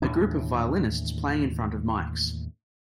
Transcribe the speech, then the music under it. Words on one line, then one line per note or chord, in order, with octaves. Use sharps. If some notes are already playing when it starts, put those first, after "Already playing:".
A group of violinists playing in front of mics.
D#2 A2 E3 D4